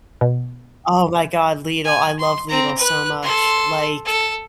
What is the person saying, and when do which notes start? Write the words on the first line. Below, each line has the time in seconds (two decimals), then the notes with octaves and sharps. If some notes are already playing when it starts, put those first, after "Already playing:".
Oh my god, Lidl, I love Lidl so much. Like,
0.21 B2
1.84 G#5
2.19 C6
2.48 C4 A#5
2.78 B4 F#6
3.22 A4 C6
4.05 A4